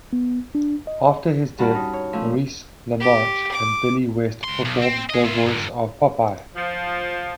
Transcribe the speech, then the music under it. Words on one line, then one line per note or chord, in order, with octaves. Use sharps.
After his death, Maurice LaMarche and Billy West performed the voice of Popeye.
B3
D4
D#5
G2 D#3 F#4 A5 B5 F6
C#4 D#4
C#5
F3 A3 C#4 E5
G4
D6
C#2 C6
B1
C4
G#4 D#5
F4 E5
G2 D3
F3